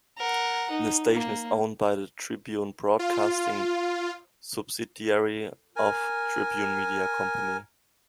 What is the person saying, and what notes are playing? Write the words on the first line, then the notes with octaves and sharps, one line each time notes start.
The station is owned by the Tribune Broadcasting subsidiary of Tribune Media Company.
A#4 F#5
D#4
A#3
F4
A#4 G#5